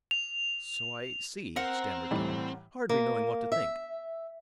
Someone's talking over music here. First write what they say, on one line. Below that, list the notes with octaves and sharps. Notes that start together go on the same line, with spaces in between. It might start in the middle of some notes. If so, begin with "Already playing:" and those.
"So I see," stammered Tom, hardly knowing what to think.
F7
C4 A#4 F#5
A2 E3 G3
A#3
E5